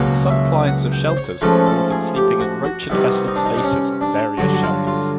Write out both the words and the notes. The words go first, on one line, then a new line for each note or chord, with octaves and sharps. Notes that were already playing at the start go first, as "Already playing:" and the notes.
Some clients of shelters have reported sleeping in roach-infested spaces at various shelters.
Already playing: C#2 B2 F#3 A#3 C#5
E5
F#5
G5
C5
C#5
G#2 F3 A3 C#4 B4
A4
G#4
G4
F#4
F#4
C3 D#3 G3 B3 E4
D#4
D4
D#4
D4
C#4
D4
G2 D3 F#3 F#4
F#4
F4
F4